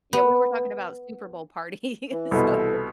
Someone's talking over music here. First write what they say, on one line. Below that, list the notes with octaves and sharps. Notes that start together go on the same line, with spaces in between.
Yeah, we were talking about Super Bowl parties, so,
B3
E3
C2 B2 A4